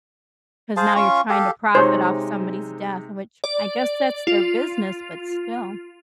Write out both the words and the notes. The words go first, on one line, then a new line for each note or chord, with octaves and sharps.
'Cause now you're trying to profit off somebody's death, which I guess that's their business, but still.
G#4 C5 F5 A5
C#4 F4 F5 C#6
G4 A4 F5
C3 G#3 D#4 C5 C#5
D5
F4